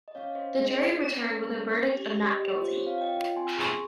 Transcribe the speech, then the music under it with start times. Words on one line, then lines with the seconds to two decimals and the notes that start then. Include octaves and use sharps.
The jury returned with a verdict of not guilty.
0.08 D#5
0.15 C#4 C#5 F5
0.31 C#5
0.35 C#4 C5 D#5
0.55 G#4 C5
0.70 D#5
0.75 C#4 C#5
0.95 C#4
1.16 C#4
1.36 C#4
1.55 C#4
1.77 C#4
1.96 G4
2.16 G4
2.33 G4 D#5
2.45 C#5
2.56 F4 C5
2.72 C4 C#5
2.87 C#5 F5
2.97 F4 D#5 G5
3.17 F4
3.36 C4 G#5 C6
3.51 C6
3.56 G#4 A#5 C#6